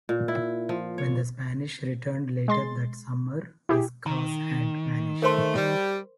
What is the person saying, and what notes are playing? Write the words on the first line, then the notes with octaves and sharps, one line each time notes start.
When the Spanish returned later that summer the cross had vanished.
A#2
E4
F3
C#5
G#3 C6 A6
E4 G4 G#4
D#3 A#5
A3 A#4 C5 C6
G3